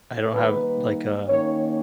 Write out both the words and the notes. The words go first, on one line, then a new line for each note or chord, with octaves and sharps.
I don't have like, uh
D#3 G3 A#3 D#4 B4
D#3 A#3 C#4 C#5